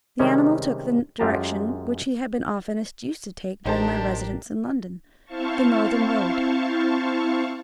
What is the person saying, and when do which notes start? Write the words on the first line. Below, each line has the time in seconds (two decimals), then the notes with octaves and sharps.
The animal took the direction which he had been oftenest used to take during my residence in London--the northern road.
0.19 C3 D#3 G3 G#3 C#4
1.19 F#2 G#3 F4 G4 A5 A#5
3.65 A1 D4 D#4 G4 A#4 C5 A5
5.25 C4 E4 C5 F5 A5 C#6